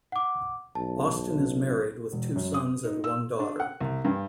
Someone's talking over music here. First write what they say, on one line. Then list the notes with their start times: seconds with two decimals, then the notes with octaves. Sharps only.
Austin is married with two sons and one daughter.
0.12 F#5 D6
0.75 B1 A5
2.12 E1
2.36 F#2
2.54 D#6
2.84 D#4
3.04 E6
3.40 D4
3.60 F#5
3.80 C2
4.05 G2